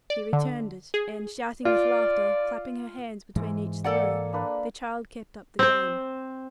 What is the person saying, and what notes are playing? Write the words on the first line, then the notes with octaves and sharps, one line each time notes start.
He returned it, and, shouting with laughter, clapping her hands between each throw, the child kept up the game.
D5
D3
G#4
F4 D5
G#2 E3 G#3
A#3 A4 D5 F#5 G#5
A#3 D4 B4
C4 C5